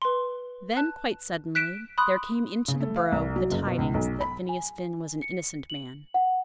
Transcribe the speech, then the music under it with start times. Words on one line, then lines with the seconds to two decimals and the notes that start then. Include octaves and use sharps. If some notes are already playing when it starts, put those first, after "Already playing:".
Then, quite suddenly, there came into the borough the tidings that Phineas Finn was an innocent man.
0.02 B4 C6
0.77 A5 F#6
1.55 F#6 B6 D7 E7
1.98 B5 C6 D#6 F#6
2.68 C#3
2.80 A3
2.96 F5
3.12 C2
3.36 F#3
3.52 F#1
3.67 B2
3.78 C#2
3.94 B1
4.21 B5
4.49 G#5
5.22 C#7
5.70 F#7
6.14 F#5